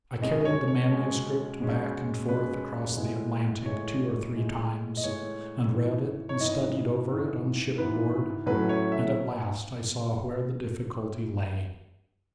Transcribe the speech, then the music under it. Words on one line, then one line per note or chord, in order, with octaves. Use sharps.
I carried the manuscript back and forth across the Atlantic two or three times, and read it and studied over it on shipboard; and at last I saw where the difficulty lay.
B2 G#3 C#4 D#5
D#5
C#5
C#5
B2 G#3 C#4
B2 G#3 C#4
B2 G#3 C#4 B4
A2 G#3 B3
A2 G#3 B3 C#5
A2 G#3 B3
D#5
A2 G#3 B3 C#5
G#2 E3 B3
C#5
G#2 E3 B3 D#5
G#2 E3 B3
G#2 E3 B3 B4
A2 F#3 A3 C#4 B4
C#5
E5